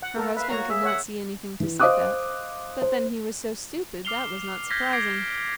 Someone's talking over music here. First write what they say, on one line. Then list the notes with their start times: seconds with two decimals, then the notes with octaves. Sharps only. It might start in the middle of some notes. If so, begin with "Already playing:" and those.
Her husband could not see anything to snip at; but then he was so stupid that was not surprising!
0.02 F#5
0.16 A#3 A4 A#4
0.37 B4 E5 F5
0.50 A#3 F#4 C#5 A#5
0.70 G#4 E5
0.83 C#5 F#5
1.60 E3
1.80 C5 D#5 F5 D6 D#6 F#6
2.82 C5
4.05 D6 F6 C7 F7 G7
4.70 D6 F6 G6 G#6 A#6 B6
4.93 D6 G#6 A#6 C7 D7